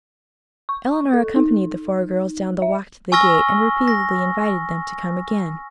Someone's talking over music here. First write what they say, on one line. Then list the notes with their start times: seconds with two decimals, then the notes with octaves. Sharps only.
Eleanor accompanied the four girls down the walk to the gate and repeatedly invited them to come again.
0.69 C#6
1.14 A4
1.36 D#4
2.62 E5
3.12 G#5 C#6 E6 F6 A#6 G7
3.88 A#6